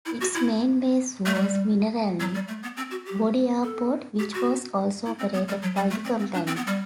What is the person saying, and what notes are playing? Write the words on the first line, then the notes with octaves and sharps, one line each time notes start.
Its main base was Mineralnye Vody Airport, which was also operated by the company.
E4
F#4
E4
A3
G3
F#3
G3
A3
B3
C4
F#4
G4
A4
G4
F#4
E4
C4
B3
G3
F#3
G3
A3
C4
C4
D4
C4
B3
G3